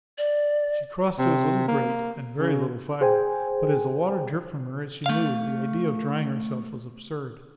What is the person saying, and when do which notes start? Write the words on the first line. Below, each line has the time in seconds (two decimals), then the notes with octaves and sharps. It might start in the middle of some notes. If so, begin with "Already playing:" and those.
She crossed to his little grate and very little fire, but as the water dripped from her as she moved, the idea of drying herself was absurd.
0.18 D5
1.19 C3
1.68 A#3
2.38 C#3
3.01 G#4 C5 G5 G#5
5.06 A3 F5